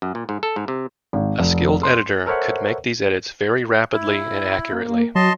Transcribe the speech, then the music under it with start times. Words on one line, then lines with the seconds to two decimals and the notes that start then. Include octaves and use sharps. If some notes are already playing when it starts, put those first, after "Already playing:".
A skilled editor could make these edits very rapidly and accurately.
0.02 F#2
0.15 A#2
0.29 G#2
0.43 A4
0.56 G#2
0.68 C3
1.13 G#1
1.39 F1
1.83 C6
2.26 A4 A#4 C5 C#5 E5 F#5
3.93 E4
4.72 A#3
5.15 F#3 D#5 A5 C6